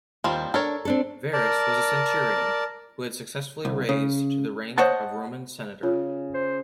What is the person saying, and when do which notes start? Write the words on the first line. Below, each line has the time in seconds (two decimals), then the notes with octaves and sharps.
Verus was a centurion, who had successfully raised to the rank of Roman Senator.
0.24 D#2 F3 G3 C4
0.54 D4 A4 A#4 C#5
0.85 C4 D4 A4
1.33 A#4 D5 A5
3.65 C2
3.89 C#3
4.78 C5 C#5 D#5 F#5 A5
5.83 C#3 F4
6.34 C5